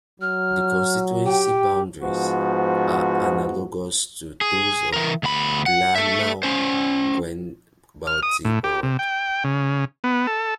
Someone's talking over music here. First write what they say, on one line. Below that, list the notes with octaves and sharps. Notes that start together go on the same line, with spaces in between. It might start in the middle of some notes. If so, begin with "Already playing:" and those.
The constituency boundaries are analogous to those of Blaenau Gwent county borough.
F#3 F6
G4 G5
G#2 F3 B3 F#4
G#4
E3 A#4
D2 B5
F#5
A4 E5
C#4 C5
F6
D#6
A2
G4
C3
G5
C#3
B3
A4